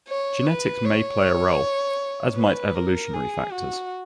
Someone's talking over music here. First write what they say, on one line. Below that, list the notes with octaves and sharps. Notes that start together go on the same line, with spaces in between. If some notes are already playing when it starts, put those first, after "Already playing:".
Genetics may also play a role, as might evolutionary factors.
C#5
B4
C#5
B4
A#4
G#4
F#4